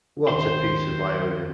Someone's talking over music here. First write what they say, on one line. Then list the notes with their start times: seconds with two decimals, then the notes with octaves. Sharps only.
What a piece of irony!
0.16 F3
0.28 D#2 D#3 C5